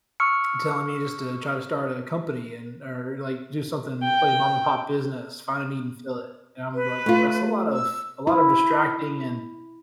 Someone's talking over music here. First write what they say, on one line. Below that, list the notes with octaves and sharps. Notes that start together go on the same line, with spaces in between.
telling me just to, "Try to start a company and or, like, do something, like, a mom-and-pop business, find a need and fill it." And I'm like, "That's a lot of a lot of distracting and
C#6 E6 F6 C#7
G5
B4
A3 F4
E6
E4